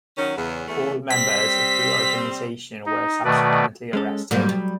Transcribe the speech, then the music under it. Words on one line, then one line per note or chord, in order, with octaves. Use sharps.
All members of the organization were subsequently arrested.
D#3 F#3 C#4
E2 C#3
E2 A3
G3 C4 B6
D#4
B2 D#3 A3 B4 D5
G#3 C#4 A4
G#2 F#3 G3 A#3
G3